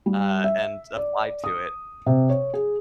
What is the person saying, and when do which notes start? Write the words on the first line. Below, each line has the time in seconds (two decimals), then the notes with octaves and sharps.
uh, and applied to it.
0.06 G3
0.44 E5
0.96 D5
1.44 D#6
2.06 C3
2.30 C#5
2.54 G#4